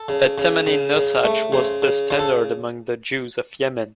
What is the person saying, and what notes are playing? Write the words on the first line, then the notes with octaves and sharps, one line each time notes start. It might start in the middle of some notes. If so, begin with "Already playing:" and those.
A "Temani" nosach was the standard among the Jews of Yemen.
Already playing: A4
C#3
C#3
C#3
C#3
A3
C#3 C5
C#3
C#3 C5
A4